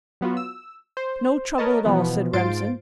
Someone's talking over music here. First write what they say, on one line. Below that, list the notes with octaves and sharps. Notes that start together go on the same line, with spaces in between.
"No trouble at all," said Remsen.
F#3 B3 F4 F#4
E6
C5
A#4 B4 C#5 D#5 A5
B2 E3 F3 B3
G#2 F4 C5 C6 A6 D7